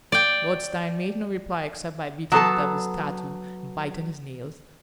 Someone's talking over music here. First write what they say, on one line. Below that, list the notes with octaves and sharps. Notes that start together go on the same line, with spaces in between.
Lord Steyne made no reply except by beating the devil's tattoo and biting his nails.
D5 G5
F#3 B3 A4 A5